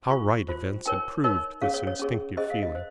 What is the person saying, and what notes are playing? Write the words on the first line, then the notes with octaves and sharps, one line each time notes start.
How right events had proved this instinctive feeling.
F4 C5 C#6
F4 C5
D#4 A#4 C#5 G5
D#4 A#4 C#5
C#4 G#4 C#5 F5
C#5
C#5
C#4 G#4 C#5
C#4 G#4 C5 D#5
F5
D#5
C5